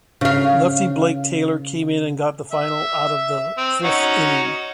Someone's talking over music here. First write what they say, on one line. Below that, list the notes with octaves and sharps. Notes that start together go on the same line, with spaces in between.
Lefty Blake Taylor came in and got the final out of the fifth inning.
C#3 F5
E5
C4
C#4 D#4 F#4